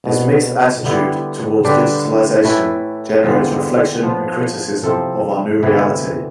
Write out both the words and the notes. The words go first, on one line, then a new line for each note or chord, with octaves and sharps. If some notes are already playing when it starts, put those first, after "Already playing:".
This mixed attitude towards digitalization generates reflection and criticism of our new reality.
C2 B2 B3
D3 G3 B3 E4 G4
D3 G3 D4 G4 B4
A2 E3 A3 E4 B4
E2 D3 G3 C4 F4
F3 B3 F4 C5
C3 F3 C4 E4 A4
D2 C3 E3 B3 E4